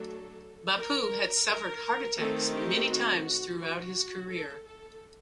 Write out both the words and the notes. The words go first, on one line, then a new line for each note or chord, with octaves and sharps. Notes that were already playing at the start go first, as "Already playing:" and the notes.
Bapu had suffered heart attacks many times throughout his career.
Already playing: F#3 A3 D4 A4
A#4
A#4
D#3 A3 C4 A4
G4
F#4
F#4
A4
A4